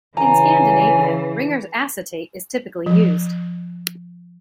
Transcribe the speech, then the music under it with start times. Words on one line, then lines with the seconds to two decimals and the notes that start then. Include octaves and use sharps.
In Scandinavia Ringer's acetate is typically used.
0.17 C#3 E3 G#5 A#5
2.86 F3